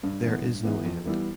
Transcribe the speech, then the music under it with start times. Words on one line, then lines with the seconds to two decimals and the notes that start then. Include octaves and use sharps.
There is no end.
0.03 G2
0.23 E3 B3
0.44 G2
0.64 E3 B3
0.85 F2
1.06 E3 G3 B3 E4